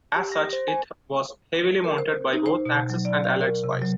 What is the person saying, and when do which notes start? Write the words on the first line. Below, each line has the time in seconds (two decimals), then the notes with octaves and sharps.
As such, it was heavily monitored by both Axis and Allied spies.
0.16 G4
0.32 A#6
0.53 C5
0.68 G#5
1.84 A#4
1.98 C5
2.33 D#4
2.46 C5
2.65 B2
2.90 F#3
3.05 D5
3.24 F5
3.41 A#4
3.64 C3
3.82 F#3